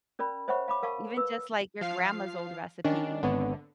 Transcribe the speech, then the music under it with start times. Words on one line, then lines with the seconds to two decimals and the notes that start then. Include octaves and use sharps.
Even just, like, your grandma's old recipe.
0.19 C#4 A#4 D5 B5
0.48 C5 C#5 E5 F#5 B5 C#6
0.68 F5 B5 D6
0.83 A#4 F5 A5 C#6
1.17 B4 E6
1.81 F3 F5 C7
2.84 D#3 C#4 D4
3.23 G#1 D3 B3 C#5